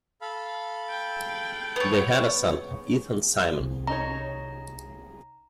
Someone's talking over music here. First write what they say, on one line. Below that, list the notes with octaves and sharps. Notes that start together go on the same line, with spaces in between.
They had a son, Ethan Simon.
A4 F5 B5
G5
B3 C#5
C2
C#4 D#4 C#5 A#5